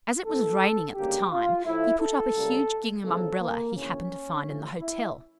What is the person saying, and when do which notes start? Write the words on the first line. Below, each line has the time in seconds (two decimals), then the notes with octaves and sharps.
As it was raining at the time, he put up a huge gingham Umbrella he happened to find in the hotel.
0.26 A1 G2 E3 A#3 A4
0.95 D2 C#3 G3 A#3 G4
1.31 F4
1.66 A2 F3 A3 E4
2.00 A4
2.35 C#2 C#3 G3 A#3
3.05 E2 C#3 F3 A#3 A4
3.41 A#3
3.75 D2 C#3 E3 A#3 C#4
4.45 A1 A2 F3 A3
4.80 E4